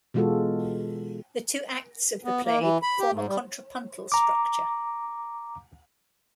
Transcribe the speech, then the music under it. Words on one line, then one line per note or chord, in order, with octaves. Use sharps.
The two acts of the play form a contrapuntal structure.
B2 E3 G#3 F4 F#4 A4
B3
A#3
E3
B5
G4
G#2
G3
A#5 D6